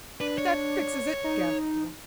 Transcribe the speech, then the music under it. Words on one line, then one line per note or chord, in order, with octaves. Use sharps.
"That fixes it!" gasped one.
D4 B4
C#5
D#4